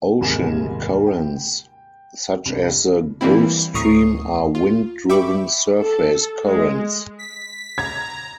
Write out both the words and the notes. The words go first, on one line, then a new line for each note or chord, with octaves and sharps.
Ocean currents such as the Gulf Stream are wind-driven surface currents.
D#1 C2 G#2 A#4 G#5 E7
G5
C2 D4
E3 G3 A#3 C4 E4
D2 A2 A#5 C#6 D#6 C7
F4
E5 G5 B5 C#6 D6
A4
G#3
B6
A#5 G#6